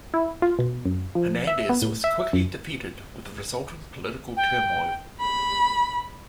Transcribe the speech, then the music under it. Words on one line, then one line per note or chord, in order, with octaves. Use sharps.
Hernandez was quickly defeated, with resultant political turmoil.
E4
F4
B2
F#2
F3
E5
B3
A2
E5
F#2
G5
B5